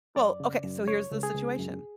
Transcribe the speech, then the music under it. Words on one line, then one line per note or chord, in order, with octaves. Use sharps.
Well, okay, so here's the situation,
F#2 D5
C#3
F#2
C#2 C#5
C#2
G#4
C#2
F#2